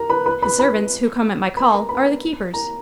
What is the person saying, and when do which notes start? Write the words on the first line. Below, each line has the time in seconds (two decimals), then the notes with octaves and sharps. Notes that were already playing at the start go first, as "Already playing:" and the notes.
The servants who come at my call are the keepers.
Already playing: A#4 A#5
0.10 B4 B5
0.26 B4 B5
0.42 B4 B5
0.59 B4 B5
1.57 B4 B5
1.72 A#4 A#5
1.89 B4 B5
2.54 A#4 A#5